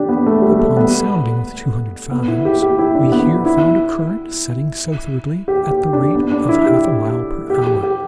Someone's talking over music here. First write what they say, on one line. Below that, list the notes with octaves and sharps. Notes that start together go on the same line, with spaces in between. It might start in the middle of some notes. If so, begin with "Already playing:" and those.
Upon sounding with two hundred fathoms, we here found a current setting southwardly at the rate of half a mile per hour.
Already playing: D4 G4
B3
A3
G3
A3
B3
B3
E4
G4
G4
E4
D4
B3
D4
E4
G4
G4
D4
B3
D4
E4
G4
G4
G4
G4